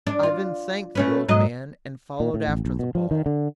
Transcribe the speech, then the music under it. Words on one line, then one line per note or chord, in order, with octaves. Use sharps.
Ivan thanked the old man, and followed after the ball.
D4
F4
A3 C#4 B4
G#2 F#3 D#5
A#2
A2
A1
B1
B2
F3
D#3
D3